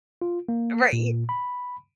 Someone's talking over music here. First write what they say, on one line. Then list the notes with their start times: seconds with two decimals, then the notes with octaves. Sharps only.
Uh, right, e
0.22 F4
0.49 A#3
0.93 A#2
1.29 B5